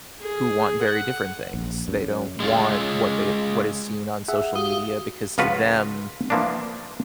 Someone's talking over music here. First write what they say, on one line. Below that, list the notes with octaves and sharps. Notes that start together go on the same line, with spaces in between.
who want very different things. They don't want what they what is seen on social media because to them,
G#4
F#5
A#1
F#2
G#3 C#4 F4
G#4 E5 F#5
F#4 G4 F5 D#6
C#2 F3 F4 F#4 B4
E3 F3 A#3 B3 D4